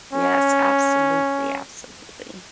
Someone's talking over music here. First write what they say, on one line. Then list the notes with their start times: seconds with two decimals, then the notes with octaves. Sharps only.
Yes, absolutely, absolutely.
0.13 C#4